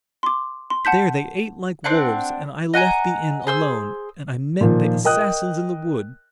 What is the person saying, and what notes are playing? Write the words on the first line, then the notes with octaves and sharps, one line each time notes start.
There they ate like wolves and I left the Inn alone and I met the Assassins in the wood.
C6 D6
C6
F#5 A5 G6 B6
C4 D4 F#5
D#5 F#5 G#5 A#5
G#4 C5 E6
A#2 D#3 F3
A#4 D#5 G5 D#6 F#6